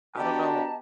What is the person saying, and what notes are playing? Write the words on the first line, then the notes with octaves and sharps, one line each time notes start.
I don't know
B3 D4 F#4 G4 D#5 A5 A#5